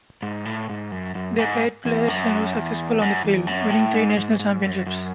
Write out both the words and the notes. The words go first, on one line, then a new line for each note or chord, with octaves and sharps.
They paid players and were successful on the field, winning three National Championships.
G#2
A2
G#2
F#2
F#2
G#2
E2
F#2
E2
F#2
E2
F#2
A2
G#2
G#2
G#2
F#2
F#2